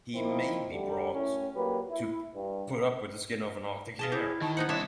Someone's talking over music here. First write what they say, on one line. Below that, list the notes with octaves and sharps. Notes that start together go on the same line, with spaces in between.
He may be brought to put up with the skin of an Arctic hare.
D#3 F3 A#3 C4 D#4 E4
D2 D3 G3
F#2 A2 C#4
A#2 F#3 A#3 G4 B4
E4
G2
F4 G#4 D#5 A5
E4 G4
D#3 A5
B3 D#4 C5 F#5
C2 D4 C#5 D#5 E5 A5